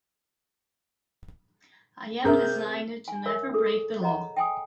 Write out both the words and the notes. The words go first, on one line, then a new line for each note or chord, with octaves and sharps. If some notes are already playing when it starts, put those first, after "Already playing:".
I am designed to never break the law.
C3 G#4 A#4 E5 G6
G#5
A#4 C#5 E5
G#4 A4
C#5 D#5 F#5 A#5
G5 G#5 D#6